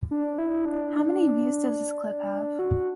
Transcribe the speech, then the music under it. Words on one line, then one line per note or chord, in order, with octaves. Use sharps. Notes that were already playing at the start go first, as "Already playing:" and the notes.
How many views does this clip have?
D4
E4
D4
F#4